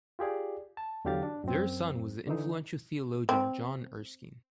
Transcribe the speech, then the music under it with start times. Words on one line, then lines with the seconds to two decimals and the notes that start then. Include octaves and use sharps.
Their son was the influential theologian John Erskine.
0.19 F4 G4 G#4 D5
0.77 A5
1.05 E2 D3 F#3 G4 F5 A6
1.23 D4
1.44 F#2 C4
2.27 D3 E3 D#4
3.29 C4